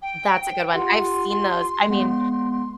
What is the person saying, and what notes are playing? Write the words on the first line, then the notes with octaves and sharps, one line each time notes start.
That's a good one, I've seen those, I mean
G5
F4 G4 F#5 C6
G#3 B3 F#5